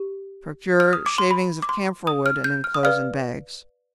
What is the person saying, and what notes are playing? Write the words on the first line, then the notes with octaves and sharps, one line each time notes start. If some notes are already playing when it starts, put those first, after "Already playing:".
Procure shavings of camphor wood, and inclose in bags.
Already playing: G4
F6
D#6
D6
C6
B5
D6
C6
D#6
F6
G6
F6
D#6
B4 D5 F5 F6